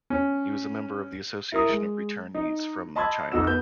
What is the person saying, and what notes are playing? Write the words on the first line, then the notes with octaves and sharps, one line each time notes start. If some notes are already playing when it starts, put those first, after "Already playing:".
He was a member of the Association of Returnees from China.
C#4
E4 A#4 D#6
G#3
D#4
D#5 A5 B5 C6 E6 G#6
F2 D#4 F#4 E6 E7
B3 B4 G6